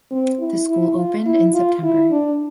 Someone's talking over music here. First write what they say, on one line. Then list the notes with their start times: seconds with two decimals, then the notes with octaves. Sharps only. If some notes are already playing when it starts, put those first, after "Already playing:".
The school opened in September.
0.11 C4
0.40 E4
0.69 E4
0.97 F4
1.26 E4
1.54 F4
1.84 E4
2.11 D4